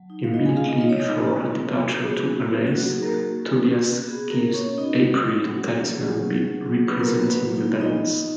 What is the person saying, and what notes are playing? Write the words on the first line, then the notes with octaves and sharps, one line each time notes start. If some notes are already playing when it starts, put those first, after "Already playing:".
Immediately before her departure to Alais, Tobias gives April the Talisman representing the Balance.
Already playing: F#3
D#4
F5
B3 D#4 D#5
G#4 G#5
F4 F5
D#4 D#5
F4 D#5
C#5
B3 D#4 D#5
B3 F#4
F4
F4 F#4
B3 G#4
F#3 F#4
A#3
F#3 F#4
F#4
D#4 G#4
A#3 A#4
A#3 F#4
C#4
A#3
F#4
F#4
B3 G#4
A#3 F#4 A#4
C#4 F#4 C#5
B3 D#4 D#5
F#3
C#4
F#3 F#4
F4
F#3 G#4
C#4
F#3
F#4
F#3 B3 B4
A#3 A#4
A#3 F#4
B3 B4
F#3
D#4
B3 D#4 D#5
F4